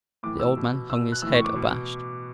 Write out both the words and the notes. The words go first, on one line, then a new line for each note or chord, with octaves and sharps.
The old man hung his head, abashed.
A2 E3 D6
E6
B2
B2 E6
F#6
A2 E3 E6
C#6
D6
B2